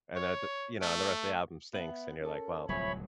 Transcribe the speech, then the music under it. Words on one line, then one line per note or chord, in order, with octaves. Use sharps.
And then th you know, and the rest of the album stinks, and you're, like, "Well
C#5
A3
B3 E5 F#7
C#4 A4 A#4
D1 C2 F3 F#3 C#5 E5 G#5 B5